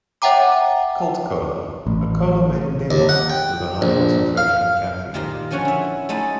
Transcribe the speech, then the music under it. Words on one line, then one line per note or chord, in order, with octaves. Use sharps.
Cult Cola a cola made in Denmark, with a high concentration of caffeine.
C#5 E5 F#5 G5 A#5 D6
A1
D#2
F#5
G5
A#1
F5
A#2 D#3 G4 C5 F5 A#5
D3 F3 C#4 F#4 C#5
E4 E5
G#3 A3 D#4 E4 A4